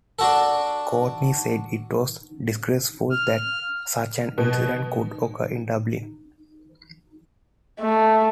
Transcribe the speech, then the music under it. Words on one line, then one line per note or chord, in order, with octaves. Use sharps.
Courtney said it was "disgraceful" that such an incident could occur in Dublin.
D4 F#4 A4
F6
B2
A3